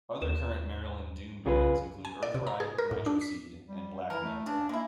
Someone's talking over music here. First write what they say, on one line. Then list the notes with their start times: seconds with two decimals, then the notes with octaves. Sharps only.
Other current Maryland doom bands include Earthride, Nitroseed, and Black Manta.
0.22 D#2 E7
1.46 C2 C#3 F4 G#4 B4 F5
2.05 G#5
2.23 D5
2.34 C3
2.47 A#5
2.60 G#4
2.78 A#4
2.91 A2
3.06 D4
3.21 B6
3.69 G3
4.10 E3 E4 A#4
4.23 A3
4.46 C#3 D4
4.69 G#3 A#3 E4